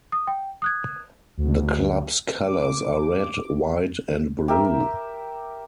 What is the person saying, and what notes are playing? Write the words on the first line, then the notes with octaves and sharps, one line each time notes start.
The club's colors are red, white and blue.
D#6
G5
D#6 F#6 G#6
D2
D6
G4 A#4 E5